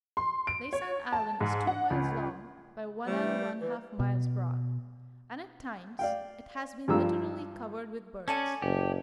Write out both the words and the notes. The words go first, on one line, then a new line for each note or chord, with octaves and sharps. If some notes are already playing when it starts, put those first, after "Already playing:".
Laysan Island is two miles long by one and one-half miles broad, and at times it has been literally covered with birds.
C6
D7
C#5
A5
G#2
F#5
C#2
C3 E3 G3 A3
E3
B2
D5 F5 G5
G2 F3 G3 A#5 E6
C#4 A4 D5 G#5
F#1 G4